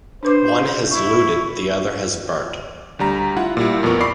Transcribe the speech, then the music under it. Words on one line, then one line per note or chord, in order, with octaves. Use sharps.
One has looted, the other has burnt.
D4 B4 C5 D6
E4 C#6
D2 G3 A#5
E4 F4 F#5
A#2 G3 E4
F2 A#2 B3 A#4 C#6
D5 B5 C#6 D6 C7